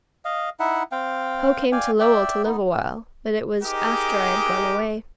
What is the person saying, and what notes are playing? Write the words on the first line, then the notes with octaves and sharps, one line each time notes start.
Poe came to Lowell to live awhile, but it was after I had gone away.
D#5 F5
D#4 E4 E5 F#5
C4 F5 G5
D5 F5 G5 G#5
D5 E5 G5
B3 D#4
D#4 G4 G#4 A#4 D#5 D6